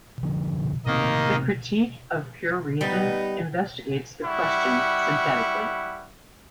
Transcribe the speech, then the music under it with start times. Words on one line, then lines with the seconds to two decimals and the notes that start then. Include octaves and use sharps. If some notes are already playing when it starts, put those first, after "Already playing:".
The "Critique of Pure Reason" investigates this question synthetically.
0.23 F1 D3 F3
0.86 A2 C3 D#3 A#3 C4 D#5
2.81 G3 B3 D#4
4.24 G3 E4 F#5 C#6